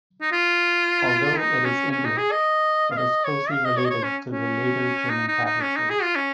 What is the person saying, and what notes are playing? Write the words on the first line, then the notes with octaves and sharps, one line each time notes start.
Although it is English, it is closely related to the later German tablatures.
D#4
F4
D#4
C#4
C#4
D#4
G#4
D#5
F5
D#5
C#5
F5
D#5
C#5
D#5
C#5
C#4
C#4
D#4
D#4
D#4
C#4
D#4
G#4
F4
C#4